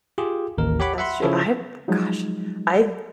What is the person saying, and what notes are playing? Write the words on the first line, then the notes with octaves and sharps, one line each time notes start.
That's true. I have gosh, I
F4 G4 G#4
A1 D#2 A#4
G4 C#5 F#5 B5 D6
E5 F#5 B5 C6
C#3 F3 E4 G#4 A4 C#5
F3 F#3 G#3 D#4